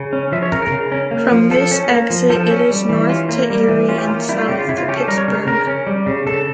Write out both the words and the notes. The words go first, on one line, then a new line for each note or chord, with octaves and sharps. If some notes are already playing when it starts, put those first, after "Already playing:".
From this exit it is north to Erie and south to Pittsburgh.
Already playing: C#3
C#4
F3 E5
C#5
C#3 A#4
A#4
C#3
C#4
A#3
F3
F3 A4
C#4
A#3
F3
F3 A4
C#4
G3
E3
C#4 F4
A#3
G3
E3
C#4 F4
G4
A#3 F4
G3 E4
F4
C#3 G4
F4
C#3 E4
F4
C#4 G4
A4
G3 A#4
C#5
C#3 A#4
C#3 A#4
C#4
G3
C#3
C#3 A4